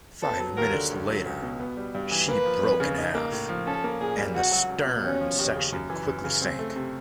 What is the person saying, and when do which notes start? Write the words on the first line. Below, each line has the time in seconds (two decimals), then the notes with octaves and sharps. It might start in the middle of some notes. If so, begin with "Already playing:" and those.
Five minutes later she broke in half, and the stern section quickly sank.
0.22 B3 A4
0.40 F#3
0.57 D#2 A#4
0.74 D3
0.91 C#2
1.08 F#3
1.26 C#2
1.42 B2
1.60 B3
1.77 G3
1.95 G2
2.12 E3
2.28 A#3 B4
2.46 F3
2.63 F2
2.80 C#3
2.98 D#4
3.15 A#3
3.32 A2
3.49 F3
3.67 C#4 A4
3.84 A#3
4.01 A#2 G#4
4.18 G3
4.35 C#2 F#4
4.52 F#3
4.69 C#2
4.86 B2
5.03 D#2 C#4
5.21 F3
5.38 D#2
5.56 C#3
5.73 F#2
5.90 E3
6.07 F#2
6.24 C#3
6.42 C4
6.59 A3
6.76 C3